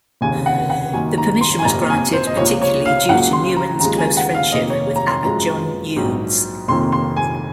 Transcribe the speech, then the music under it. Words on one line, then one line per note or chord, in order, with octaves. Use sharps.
The permission was granted particularly due to Nouwen's close friendship with Abbot John Eudes.
F1 D#2 C#3 G#5
F#5
F#5
F#2 D#3 A#3 G#5
A#5
C6
G#5
F#1 F2 C3 F3 A#3 A#5
G#5
C5
D#5
C#2 C3 F3 A#3 C#5
C#5
F5
C#2 C#3 F#3 A#3 F#5
C6
A#5
D#2 C#3 F3 G#3 A#5
G#5
F#5
F5
F1 F2 D#3 A#3 D#5
C#5
A#5
C6
F#2 F3 G#3 A#5
A#1 G#2 F#3
F1 F2 D#3 A#3 C6
C6
G#5